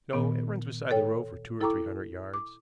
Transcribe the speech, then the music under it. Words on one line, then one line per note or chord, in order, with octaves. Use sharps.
"No, it runs beside the road for two or three hundred yards."
A#2 D#3 B3
A4 C#5 G5
E4 A4 G5 A#5 C#6 D6
D6